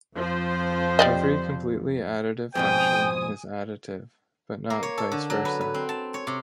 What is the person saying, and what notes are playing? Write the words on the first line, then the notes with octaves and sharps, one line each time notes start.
Every completely additive function is additive, but not vice versa.
F2 F3 C5
G3 D5 D#5
F2 G#2 B2 C5 G5 G#5 D#6
A#3
C#5
A4
D3
F#3
B4
B4
C4
A5
C#5
C3